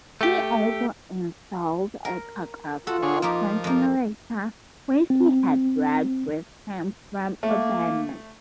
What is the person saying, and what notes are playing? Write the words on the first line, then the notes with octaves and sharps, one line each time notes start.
He also installed a Cockcroft-Walton generator, which he had brought with him from Urbana.
A3 G4
A#4
F4 F#4 A4
D3 G#4 C#5
F3 A#3 D#4 G4
F2 A#3
C4
A3 A#3